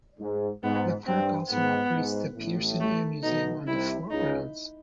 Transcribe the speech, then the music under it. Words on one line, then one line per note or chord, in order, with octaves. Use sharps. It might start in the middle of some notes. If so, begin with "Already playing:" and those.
The park also operates the Pearson Air Museum on the fort grounds.
G#2
G#2 B3
G2 C4
G#2 B3
G#2
A1 A2
A3
B1 B2 D#4
C2 C3 E4
C#2 C#3 D#4